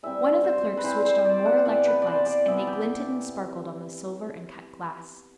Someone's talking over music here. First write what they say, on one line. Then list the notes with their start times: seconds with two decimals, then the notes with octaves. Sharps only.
One of the clerks switched on more electric lights, and they glinted and sparkled on the silver and cut glass.
0.03 E3 G3 C4 E5
0.44 C5
0.77 B4
0.84 E3 G3 C4 C5
1.05 C5
1.25 D5
1.46 F#5
1.65 C3 E3 B3 D5
1.87 B4
2.02 C5 D5
2.26 D5
2.47 C3 E3 B3 E5
2.67 G5